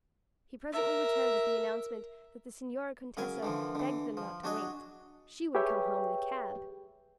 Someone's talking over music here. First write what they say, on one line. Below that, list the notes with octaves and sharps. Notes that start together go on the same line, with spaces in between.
He presently returned with the announcement that the Signora Contessa begged them not to wait--she would come home in a cab!
A#4 E5
C#3 F#3 A#4 G#5
D3 E3 F3
D3 E3
F3
F#3 D4 F#4 G#4 D#5
G4 G#4 B4 C#5 E5 G5